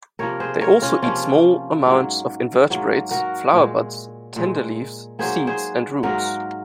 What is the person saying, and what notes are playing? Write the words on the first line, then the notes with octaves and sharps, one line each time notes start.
They also eat small amounts of invertebrates, flower buds, tender leaves, seeds, and roots.
C3 F3 A#3 A#4 C#5
G#4 C5
A#4 C#5
C#4 F4
C3 F3 A#3 C#4 F4
G#2 F#3 A#3
G#2 F#3 A#3
F#4 A#4
A#2 G#3
A#2 G#3
G#2 F#3 A#3 G#4 C5
G#4 C5
G#2 F#3 A#3 F#4 A#4